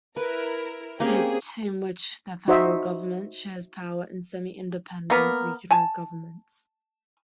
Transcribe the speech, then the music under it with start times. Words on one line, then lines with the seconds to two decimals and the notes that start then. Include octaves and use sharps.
States in which the federal government shares power with semi-independent regional governments.
0.16 E4 A#4 B4
1.00 A#3 C4 C#4 G4 G#4
2.48 D#4 F#4 C5 D#5 E5
5.10 A#3 B3 A#4
5.71 G#5 A5